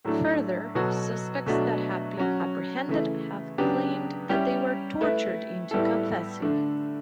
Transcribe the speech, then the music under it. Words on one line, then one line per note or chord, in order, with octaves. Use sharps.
Further, suspects that have been apprehended have claimed that they were tortured into confessing.
A2 F#3 A3 D4
B2 F#3 B3 F#4 A4
B2 F#3 A3 D4 F#4
F#3 C#4 F#4
C#3 E3 A3
C#3 F#3 B3 D4 G4
G3 C#4 E4 G4
A3 E4 B4
A2 G3 B3 E4 A4
D3 A3 D4